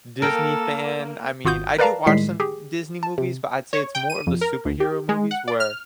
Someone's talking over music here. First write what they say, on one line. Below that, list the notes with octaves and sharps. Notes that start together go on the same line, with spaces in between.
Disney fan, I mean, I do watch some Disney movies, but I'd say it's more of the superhero movies, where
A#3 A4 A#4 G5
G#1 F4 F#4 D#6 G6
A#4 B4 D5 F5 A5 A#5
A2 D#3 G3 G#3 B6 C7
G4 G#4
A5
C3
C#5
G5
D#7
F2
A#4
D2
G4
G#3
F#5
D5
F6